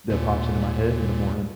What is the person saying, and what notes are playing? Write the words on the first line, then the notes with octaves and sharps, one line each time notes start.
that pops into my head in the morning.
D#2 A#2